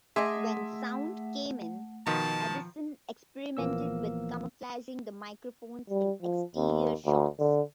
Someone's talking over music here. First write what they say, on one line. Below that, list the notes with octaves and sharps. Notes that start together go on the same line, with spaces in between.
When sound came in, Edeson experimented with camouflaging the microphones in exterior shots.
A3 G#4 D#5 E5 F#5 C6 D6
B2 D#3 F3 A5
A#1 E3 F3 A#3 B3 E6
G3
F3
D#2
D2
D3